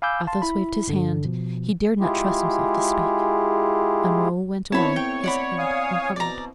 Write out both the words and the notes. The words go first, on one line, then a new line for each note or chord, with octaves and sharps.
Athos waved his hand--he dared not trust himself to speak: and Raoul went away, his head uncovered.
F5 G#5 B5 D6 E6 G6
F5 A5 C6
E4 B5
G2 D3
B2 F3
G#3 E4 F4 G4 G#4
D3 D#3 B3 C4 E4 C#5 A5 B5
A3 G5
D5 F#5 B5
F5 G#5 D#6
B2 D5 A#5